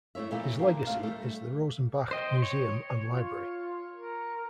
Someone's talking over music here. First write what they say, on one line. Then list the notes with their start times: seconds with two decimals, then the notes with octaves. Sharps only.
His legacy is the Rosenbach Museum and Library.
0.15 G2 A3 E4 C#5 E5
0.31 A#2 E3 A3 E4 G4
0.59 A#3 B3 D4 F4 G4
0.87 D2 A2 D#3 A3 B3 F5
1.03 G3 A3
2.11 C5 D#5 G5
2.42 C#5
3.07 F4
3.96 A#4